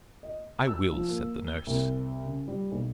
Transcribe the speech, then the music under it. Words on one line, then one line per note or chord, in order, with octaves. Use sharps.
"I will," said the nurse.
D#5
E6
F3
A#3
G7
C2
C#3
G3
B1